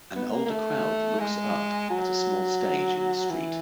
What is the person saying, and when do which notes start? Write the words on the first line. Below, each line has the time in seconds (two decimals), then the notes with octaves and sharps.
An older crowd looks up at a small stage in the street.
0.15 B3
0.32 A#3
0.46 A#3
0.50 A3
1.20 G#3
1.90 F#3
3.30 E3